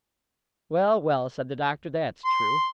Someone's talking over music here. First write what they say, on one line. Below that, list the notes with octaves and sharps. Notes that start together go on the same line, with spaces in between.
'Well, well,' said the Doctor, 'that's true.
C6